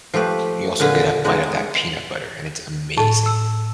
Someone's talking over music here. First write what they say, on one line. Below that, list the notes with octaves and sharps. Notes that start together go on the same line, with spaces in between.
you also get a bite of that peanut butter, and it's amazing.
F3 A3 G4 B4
A#2 D3 G#4 B4
G#3 B3 D#4
A2 A4 A5
E6